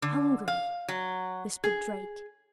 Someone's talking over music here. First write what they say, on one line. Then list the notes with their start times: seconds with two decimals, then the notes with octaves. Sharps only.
"Hungry!" whispered Drake.
0.02 D3
0.48 F5
0.88 F#3
1.64 G#4